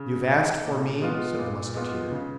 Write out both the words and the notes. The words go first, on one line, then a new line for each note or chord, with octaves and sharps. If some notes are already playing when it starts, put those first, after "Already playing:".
"You have asked for me?" said the Musketeer.
Already playing: C#3
G#3 D#4
A#2
G#3 B3 F4
A#2
G#3 B3 F4
C#3